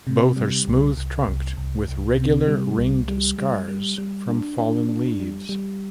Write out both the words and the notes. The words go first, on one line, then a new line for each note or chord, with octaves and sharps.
Both are smooth-trunked, with regular ringed scars from fallen leaves.
C3
G3
C2
C2
C2
C2
C2
C3
G3
C2
G3
G3
G3
G3
D4
D4
D4
G3
G3